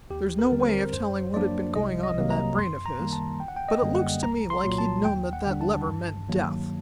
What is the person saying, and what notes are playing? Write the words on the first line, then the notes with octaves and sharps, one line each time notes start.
There's no way of telling what had been going on in that brain of his, but it looks to me like he'd known that that lever meant death.
D#2 G4
A#4
D3 G3 C4
C5
A#4
F#2 C5
F#3 A#3 D4 D5
C2 D#5
D#5
C3 F#3 A#3
A#5
F#2 C6
A#5
D#3 G3 A#3
A5
G1 G5
F#5
G5
D#5
F#2 D3 G3 A#3
F#5
C2 A#5
C6
A#2 F#3
A5
D#2 G5
F#5
D3 G3 D4
A5
G2
D#3 F#3 A#3